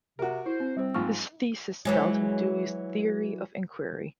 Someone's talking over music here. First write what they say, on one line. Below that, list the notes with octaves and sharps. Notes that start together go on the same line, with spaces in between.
His thesis dealt with Dewey's theory of inquiry.
C3 F#4 A#4
E4 C5
C4
G3 C4 C5
G#2 F3 C#6 F6
E3 F#3 G#3